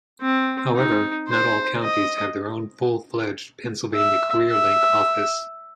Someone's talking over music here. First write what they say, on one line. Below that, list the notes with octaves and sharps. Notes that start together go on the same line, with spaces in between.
However, not all counties have their own full-fledged Pennsylvania CareerLink office.
C4
D#4
C5
D#5
E5
E5